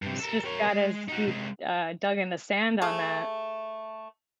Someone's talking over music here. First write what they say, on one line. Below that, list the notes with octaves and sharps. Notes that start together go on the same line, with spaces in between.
He's just got his feet, uh, dug in the sand on that.
G2 C3
A4 A#4
A#4 C#5
G#3
D#4 F#4
C3 G#3
A3 G#4 A5